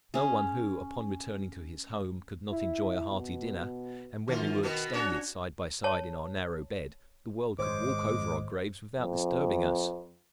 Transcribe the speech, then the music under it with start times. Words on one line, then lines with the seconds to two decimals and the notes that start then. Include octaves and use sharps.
No one who, upon returning to his home, could not enjoy a hearty dinner; and when we were extended side by side in our narrow bed, the world could walk over our graves without disturbing us.
0.14 C#4 G#4
2.52 E4
3.10 B2
4.28 F#2 D#3 F4
4.63 B2 D#3 B3 F#4
4.93 C#4 D4 F#4 C#5
5.84 C#5 A5
7.59 G#1 F2 G#3 C5 C#5 D6
8.99 F2